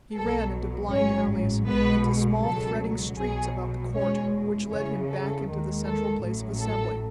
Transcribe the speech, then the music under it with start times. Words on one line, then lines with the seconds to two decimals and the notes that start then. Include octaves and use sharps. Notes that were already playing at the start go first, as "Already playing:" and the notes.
He ran into blind alleys, into small threading streets about the court, which led him back into the central place of assembly.
0.16 B1 B2 F#3 A4
0.91 A1 G#2 F#3 C#4 C#5
1.68 B1 B2 G#3 B3 B4
2.43 C#2 B2 F#3 A4
3.19 B1 B2 F#3 G#4
3.95 E2 B2 G#3 C#4 C#5
4.71 E2 C#3 E3 C#4 C#5
5.09 A4
5.47 D#2 D#3 G#3
5.85 A4
6.23 A1 A2 F#3
6.61 A4